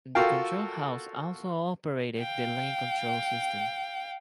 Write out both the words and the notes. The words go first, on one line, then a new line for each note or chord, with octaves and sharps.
The control house also operated the lane control system.
F4 F#4 A4 A#4 F5 G5
F5 G5